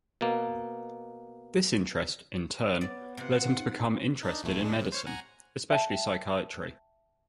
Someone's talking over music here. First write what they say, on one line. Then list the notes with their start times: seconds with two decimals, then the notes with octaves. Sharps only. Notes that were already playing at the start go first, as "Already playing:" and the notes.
This interest, in turn, led him to become interested in medicine, especially psychiatry.
0.21 B2 A#3
2.81 B3 C#5 D5
3.17 C3 F4 B4 F#5
3.54 D#4
4.23 D4 D#4
4.43 A#1 E2 A3
4.63 G#3 D4
4.76 A2 C3
4.92 C5 C#5 F6
5.07 F#5 G#5 A#5
5.70 E5 G5 A5